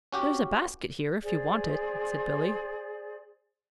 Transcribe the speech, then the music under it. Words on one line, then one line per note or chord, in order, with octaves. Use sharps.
"There's a basket here, if you want it," said Billy.
C#4 F#4 G4
G#4 C5 D5